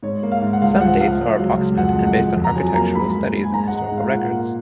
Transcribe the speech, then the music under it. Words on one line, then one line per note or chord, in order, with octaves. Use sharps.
Some dates are approximate and based on architectural studies and historical records.
G#2 C#5
A#3
F5
G#2
F#5
C#2 F5
F3 F#5
C#2 F5
C#2
F#3
C#2
F2 F#5
G#3
F#5
F2
F2
A#5
F#3 G#5
A#3 A#5
G#2 B5
A#3
G#2
G#5
G#2 A#5
G#3 F#5
G#2
F5
A#2 F#5
A#3